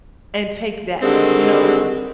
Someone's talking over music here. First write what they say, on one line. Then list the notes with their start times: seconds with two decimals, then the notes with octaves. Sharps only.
And take that, you know,
1.02 D3 D#3 G3 G#3 C4